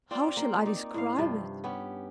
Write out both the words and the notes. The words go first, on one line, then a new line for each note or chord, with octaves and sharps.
How shall I describe it?
C4 F4 D5
A#3 F4
D#4 D5
A2 F5
G2 C3 F3
B3 C#4 G4